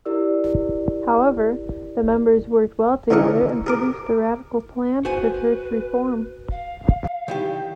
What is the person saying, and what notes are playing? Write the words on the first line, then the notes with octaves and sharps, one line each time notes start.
However, the members worked well together and produced a radical plan for church reform.
E4 G4 A#4 D5 E6
D3 E3 C#4 G#4 A#4 C#6
G#4 A#4 D6
F#4 B4 C5 G#5
F5
D#3 E3 G4